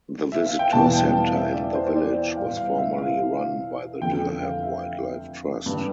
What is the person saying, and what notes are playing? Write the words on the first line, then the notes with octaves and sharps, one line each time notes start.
The visitor centre in the village was formerly run by the Durham Wildlife Trust.
E5
F5
G5
E2 B2 G3 B3 A5
G5
F5
E5
D5
C5
D5
G5
A2 G3 B3 F5
F5
E5
F5
F2 D3 A3 G5
G5
F5
E5
G2 D3 G3